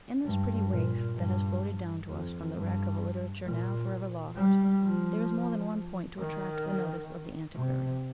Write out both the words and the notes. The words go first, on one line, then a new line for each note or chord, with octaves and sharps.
In this pretty waif that has floated down to us from the wreck of a literature now forever lost, there is more than one point to attract the notice of the antiquary.
G2
A#2
G2
F2
G2
A#2
G3
F3
D#3
C3